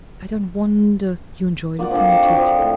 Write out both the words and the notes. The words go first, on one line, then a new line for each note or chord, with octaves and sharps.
I don't wonder you enjoy looking at it.
A#3 F4 D5 F#5
F3 C4 D4 A4
G5
F#3 D4
F3
A2